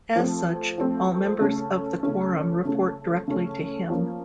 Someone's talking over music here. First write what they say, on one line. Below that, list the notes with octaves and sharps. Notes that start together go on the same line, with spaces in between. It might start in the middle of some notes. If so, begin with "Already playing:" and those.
As such, all members of the Quorum report directly to him.
F3 A3 C4
F3 A3 C4
C#3 A3 C#4
C#3 A3 C#4
C#3 A3 C#4
C#3 A3 C#4
F3 A#3 C#4